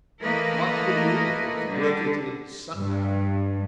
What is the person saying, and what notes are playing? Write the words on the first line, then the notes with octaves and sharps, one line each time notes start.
"One could always work it in somehow."
E3 A3 A#3 A#4 B4 D#5
D3 G3
G2